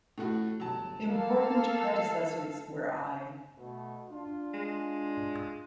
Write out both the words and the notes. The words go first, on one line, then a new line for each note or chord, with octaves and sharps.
Important predecessors were I.
A1 A2 A3 F#4
G1 F#3 A5
A#3 A4 F5
B2 A3
D4 F4
G#3